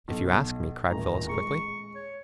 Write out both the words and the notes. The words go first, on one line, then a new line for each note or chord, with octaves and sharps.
"If you ask me," cried Phyllis quickly.
B1
D#1 A1 A3 A#5
G#3 C#6
C#5